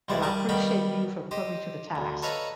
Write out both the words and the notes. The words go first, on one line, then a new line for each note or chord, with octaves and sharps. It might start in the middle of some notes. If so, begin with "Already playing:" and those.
and I appreciate you for putting me to the task.
C2 E3 G3 G#3 C5 D5
G3 G#4 A#4 A5 D6
D#3 G3 B3 F5 G5 B5
G4 C5 D#5
D2
A4 B4 C#5 D#5 F5 A#5